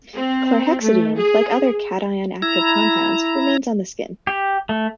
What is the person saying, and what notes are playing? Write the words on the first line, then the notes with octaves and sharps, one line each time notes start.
Chlorhexidine, like other cation-active compounds, remains on the skin.
C4
A3
G#4
E4 A#5
G4
A3